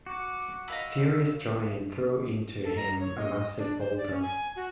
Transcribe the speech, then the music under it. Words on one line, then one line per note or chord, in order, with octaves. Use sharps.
Furious giant threw into him a massive boulder.
F#4 D6
D#5 F5 B5 E6
A4
A#5
C#5
D#5
D4
C5
D5
C#4
G#5
F#4